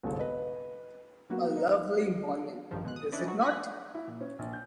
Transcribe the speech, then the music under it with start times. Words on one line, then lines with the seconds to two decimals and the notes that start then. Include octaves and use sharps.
A lovely morning, is it not?
0.03 G1 C2 G#2 A4
0.19 B4 D#5
1.30 F#3 A#3 B3 F#4
1.57 D#4
2.71 A1 G2 D#3 F3
2.85 B2 G#3 F#6
2.96 D#6
3.12 C#4 D4 E4 B4 D5 D#5
3.27 F#3 F#4
3.41 G#5 B5 F#6 G#6 A#6 B6
3.95 E4
4.07 A#2
4.21 C#4
4.39 A#1
4.53 G6